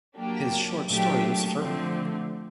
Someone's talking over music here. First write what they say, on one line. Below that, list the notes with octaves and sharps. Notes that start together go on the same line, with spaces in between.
His short story Lucifer!
F#3 A#3 D4 G4
A#2 F#3 A3 D4 G4
D3 F3 A3 C4